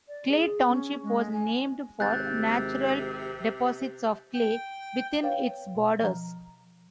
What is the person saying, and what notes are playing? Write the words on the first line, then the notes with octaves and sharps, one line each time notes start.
Clay Township was named for natural deposits of clay within its borders.
D5
G#4
C#4
G#3
G#5
G#1 C3 F#6 G6 A6
G5
B4 C#5 F5 G5
B2
F3 A#5